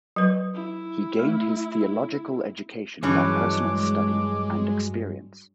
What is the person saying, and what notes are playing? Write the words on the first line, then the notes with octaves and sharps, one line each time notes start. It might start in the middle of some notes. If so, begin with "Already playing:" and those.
He gained his theological education by personal study and experience.
F#3 B4
E4
A3
G2 E3 F#3 G#3 C#4 D4 D6